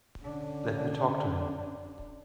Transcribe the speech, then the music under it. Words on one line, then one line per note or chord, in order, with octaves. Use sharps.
Let me talk to him.
D3 C#4 D4